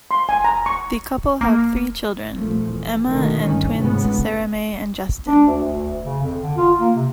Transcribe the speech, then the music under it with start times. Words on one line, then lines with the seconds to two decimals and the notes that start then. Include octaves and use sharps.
The couple have three children, Emma and twins SaraMai and Justin.
0.11 C6
0.29 G#5
0.44 A#5
0.66 C#6
1.41 A#3
2.37 C2 A#2 F3 A3
2.68 E2
3.06 B2 D3 D#3 A3
3.42 G1 C#4
3.77 F1 C#2 G#2 C#3 B3
5.27 D4
5.47 D2
5.63 D2
6.04 C#3
6.23 F2
6.42 D3
6.57 F4
6.80 A#3
6.95 C3